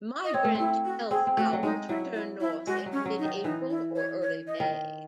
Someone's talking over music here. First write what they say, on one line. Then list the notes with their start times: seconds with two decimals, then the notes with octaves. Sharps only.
Migrant elf owls return north in mid-April or early May.
0.24 D#5
0.34 C4 C#5
0.44 A3
0.55 C4 E4
0.85 F#4
1.11 C4 G#4
1.27 C4
1.37 A3 F#4
1.53 F#3
1.63 G#3 D#4
1.89 F#3 E4
2.14 E4
2.41 E4
2.67 G#3 F#4
2.86 F#3
2.92 C#4
3.06 F#3
3.19 D#4
3.25 D#3
3.44 E3 D#4
3.70 E4
3.96 C#5
4.22 C#5
4.47 D#5
4.60 D#3